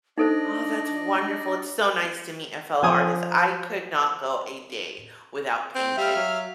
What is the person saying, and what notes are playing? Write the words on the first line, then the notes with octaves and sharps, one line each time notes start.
Oh, that's wonderful! It's so nice to meet a fellow artist. I could not go a day without painting.
D4 D#4 A4 C5 D5 D#5
F3 G#5 D#6
C4
G3 E5 F5 F6
F#3